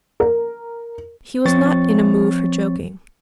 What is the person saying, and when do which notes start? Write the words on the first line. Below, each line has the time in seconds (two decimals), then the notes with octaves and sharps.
He was not in a mood for joking.
0.20 A#4
1.45 F3 C4 C#5 C#6 A6